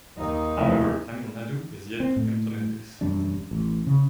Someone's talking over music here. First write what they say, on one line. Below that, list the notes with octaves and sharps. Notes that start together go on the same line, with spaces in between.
However Tamil Nadu is yet to implement this.
D#2 D#4
F1 E4
C4
A2
E1 F#2 G3 D4
A1
C#3